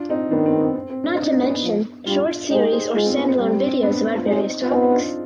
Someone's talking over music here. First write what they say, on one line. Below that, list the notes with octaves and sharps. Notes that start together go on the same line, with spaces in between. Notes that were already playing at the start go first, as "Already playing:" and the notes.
Not to mention short series or standalone videos about various topics.
Already playing: D4 F4
C4 D#4
D#3 B3 D4
C4
B3
C4
C4
C4
D4
D#4
D4
D#4
B3 D4
F3
G3 D4 F4
G#3 D#4 G4
G#4 C5
G#3 F4 G#4
C4
B3
C4
G3 C4
C4
B3 D4
F4
G#3 C4 D#4
F4
B3 C4 D#4
D4 F4